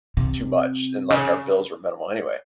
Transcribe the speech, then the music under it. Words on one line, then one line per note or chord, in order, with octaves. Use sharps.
too much and, like, our bills were minimal anyway,
C3
C#3